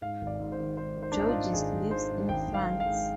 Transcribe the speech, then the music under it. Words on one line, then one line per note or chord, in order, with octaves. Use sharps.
Georges lives in France.
G#2 F5
G#1
D5
G#2
C5
D#3
G#2 C5
D#3
C5
D4
G#1 D#4
F4
G#1
G#1 G#4
G#1
D#3 C5
G#2
G#1 G5
G#1
F5
G#2
F5
G#2